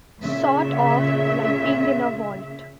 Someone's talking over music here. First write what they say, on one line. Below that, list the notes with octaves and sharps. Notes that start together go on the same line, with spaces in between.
Sort of like being in a vault.
A#2 C#3 E5